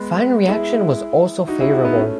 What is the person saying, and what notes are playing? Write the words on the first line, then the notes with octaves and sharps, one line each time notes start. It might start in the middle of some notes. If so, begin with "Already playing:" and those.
Fan reaction was also favorable.
Already playing: G#3 B3
E4 G#4
D#4 F#4
E4 G#4
D#4 F#4
B3 D#4
A3 C#4